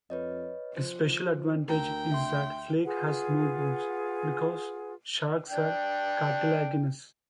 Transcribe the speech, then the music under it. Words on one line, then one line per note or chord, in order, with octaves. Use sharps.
A special advantage is that flake has no bones, because sharks are cartilaginous.
F2 B4 C#5 D#5
F3 C5
D2 A#4 G5 A#5
E5 C6
F4 G#4 B4 F#5
D4 G5